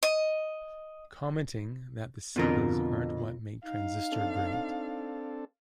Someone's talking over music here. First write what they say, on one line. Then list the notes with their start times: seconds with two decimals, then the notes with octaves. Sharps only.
Commenting that the singles aren't what make Transistor great.
0.03 D#5
2.36 F2 B2 D3 F4 A#4
3.65 D#4 F5
4.12 C4 D4 A4